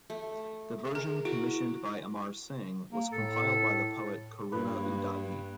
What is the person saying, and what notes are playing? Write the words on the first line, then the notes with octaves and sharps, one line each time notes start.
The version commissioned by Amar Singh was compiled by the poet Karuna-udadhi.
A3
G#4 A#4
E4 F#4
A#3
A2 A4
G2 A#3 B4